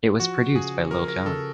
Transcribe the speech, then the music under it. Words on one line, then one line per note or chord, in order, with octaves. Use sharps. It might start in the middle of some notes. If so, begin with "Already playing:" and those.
It was produced by Lil Jon.
F3 F#4
C#3 G#4
F3 A#4
A#4
C#3 A4